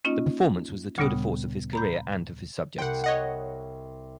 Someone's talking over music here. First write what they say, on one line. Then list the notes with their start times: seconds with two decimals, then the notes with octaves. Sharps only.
The performance was the "tour de force" of his career and of his subjects.
0.04 A#3 C#4 D#4 F4 D#5
0.98 D2 A#2 C#3 G3 B3 D#6
1.73 A#5 B5 G6
2.78 C2 F#5 G5 C6
3.04 C#5 D#5 F#5